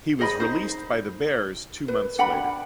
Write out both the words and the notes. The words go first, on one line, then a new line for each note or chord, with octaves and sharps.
He was released by the Bears two months later.
G#4 C5 D#5 B5
D#4 C5
B4
D4 F#5 G5 B5